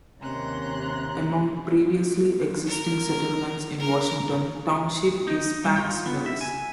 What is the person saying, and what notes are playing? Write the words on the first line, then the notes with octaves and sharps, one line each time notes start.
Among previously existing settlements in Washington Township is Pack's Mills.
D#2 C3 C#4 A#5 C6 F#6
A#4
A#4
D#4
G3
F4
B3
E5
G#5